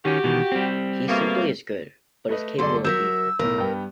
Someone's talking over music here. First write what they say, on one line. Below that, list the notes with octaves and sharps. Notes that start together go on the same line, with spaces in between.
He simply is good, but is capable of evil.
D#3 C#4 F#4 G4
B2 D#3 E3
G3 C4
B2 A3 A#3
A3 B4 D#5
G1 F#3 G#3 A4 D5 C6
F#3 A#4 E5 E6 G6 E7
B1 A2 A#4
G2 B3 G5